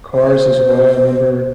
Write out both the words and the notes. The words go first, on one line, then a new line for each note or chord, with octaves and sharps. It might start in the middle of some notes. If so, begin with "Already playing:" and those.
Cars as well, I remember,
C5